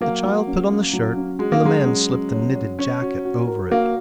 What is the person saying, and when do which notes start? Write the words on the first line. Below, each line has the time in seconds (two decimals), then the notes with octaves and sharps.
The child put on the shirt, and the man slipped the knitted jacket over it.
0.01 F#3 A#3
0.24 F#3
0.47 C#4
0.71 C#4
0.93 F#3
1.17 C#4
1.39 G#3 F#4
1.52 A#3
1.63 F#3 G#3
1.86 C#4
2.09 C#4
2.32 C#5
2.55 C#5
2.79 C#4 C#5
3.02 F#4
3.25 F#4
3.47 A#4
3.71 A#3 F#4